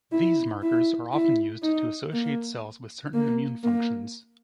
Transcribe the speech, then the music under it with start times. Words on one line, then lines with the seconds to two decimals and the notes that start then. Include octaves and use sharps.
These markers are often used to associate cells with certain immune functions.
0.12 E4
0.63 E4
1.13 E4
1.63 D#4
2.13 A#3
3.14 A#3
3.64 A#3